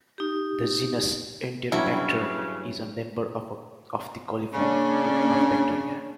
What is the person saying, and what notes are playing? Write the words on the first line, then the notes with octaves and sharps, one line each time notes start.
The genus "Enterobacter" is a member of the coliform group of bacteria.
D#4 G4
G2 C#3 E3 F#3 C#4 E4
C#3 A#3 C#4 D4